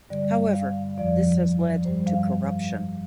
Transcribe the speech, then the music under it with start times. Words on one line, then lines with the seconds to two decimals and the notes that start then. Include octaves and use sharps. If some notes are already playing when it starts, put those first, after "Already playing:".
However, this has led to corruption.
0.09 G2 D3 G3 D5
0.54 F5
0.97 F2 F3 D5
1.85 G2 G3 C5
2.07 F5